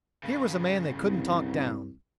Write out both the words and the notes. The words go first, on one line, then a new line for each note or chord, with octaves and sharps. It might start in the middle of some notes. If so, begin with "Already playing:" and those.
Here was a man they couldn't talk down.
G2 C#3
C2